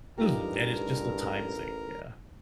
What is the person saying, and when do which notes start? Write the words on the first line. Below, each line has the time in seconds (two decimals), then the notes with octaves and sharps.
Mhm, and it's just a time thing. Yeah.
0.18 A1 G2 D#4 F4 G4 A#4